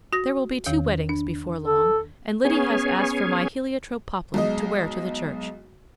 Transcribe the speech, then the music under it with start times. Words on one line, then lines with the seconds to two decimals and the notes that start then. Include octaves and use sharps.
There will be two weddings before long, and Liddy has asked for my heliotrope poplin to wear to the church.
0.13 F#4 A#6
0.66 E2 D#3
1.09 D4
1.65 A4
2.45 B3 C#4 G#4 C#5 G#5
4.34 B1 G#3 D#5